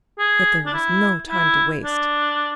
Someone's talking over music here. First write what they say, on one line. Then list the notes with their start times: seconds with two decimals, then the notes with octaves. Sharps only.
Yet there was no time to waste.
0.19 G#4
0.66 D4
0.74 E4
1.29 E4
1.84 D4